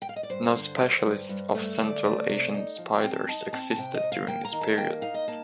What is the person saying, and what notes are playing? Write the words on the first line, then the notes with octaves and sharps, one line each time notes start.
No specialists of Central Asian spiders existed during this period.
G5
F5
D#5
D5
G2 C5
D3 C5
D3
G2
G2
A3
D3 D5
A3
C3
D#4
F3
G5
C4
A5
D#4 A5
C4 A5
A5
C3 G5
D#5
C3
F5
A#3 G5
A#5
D#3
A5
A#3 G5
D#4 F5
D#5
A#3 A5